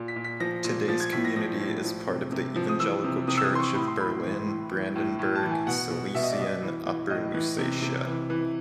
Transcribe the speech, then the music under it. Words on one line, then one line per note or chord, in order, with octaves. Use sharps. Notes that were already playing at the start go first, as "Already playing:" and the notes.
Today's community is part of the Evangelical Church of Berlin-Brandenburg-Silesian Upper Lusatia.
Already playing: A#2
B6
A#2
B6
F3 A#6
A#2
F3 A6
G#6
A2 B6
A#6
F3 A#6
A2
F3
C3
C3
F3
D#6
E3 E6
C3
C3 D#6
E6
D#6
E3 C6
C#6
A2 B5
C6
A2 B5
E3
A2
E3
A2
A2
A5
E3
G#5
B2 F#5
B2
B2 E5
D#5
D5
B2 D#5
E3
E3
A2 D#5
E3
C3
C3
E3
E3